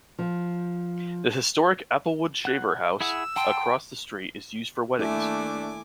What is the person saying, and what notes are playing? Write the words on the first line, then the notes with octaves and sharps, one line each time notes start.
The historic 'Applewood' Shaver House across the street is used for weddings.
F3
F#5 F#6
E4 G#4 F#5 E6
F#5 G5 A5 C6
D#2 A3 D4 E4 G#5 D6